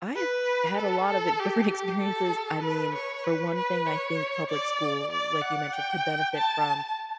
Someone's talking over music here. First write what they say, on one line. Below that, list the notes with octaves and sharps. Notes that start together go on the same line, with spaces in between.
I've had a lot of, uh, different experiences. I mean, for one thing, I think public school, like you mentioned, could benefit from:
B4
A4
A4
G4
G4
A4
B4
C#5
B4
B4
C#5
D5
D5
F#5
G5
A5